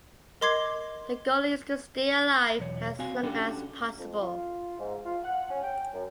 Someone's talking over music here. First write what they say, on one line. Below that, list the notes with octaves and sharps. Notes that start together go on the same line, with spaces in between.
The goal is to stay alive as long as possible.
A#4 D#5 C6 D6 G#6 C7
B1 E2 C#5
C4 F#4 F5 G#5
C#4 D4 F#4 G4 A4
F2
F4
G#2
F4
F#5
C#4
G5
F#2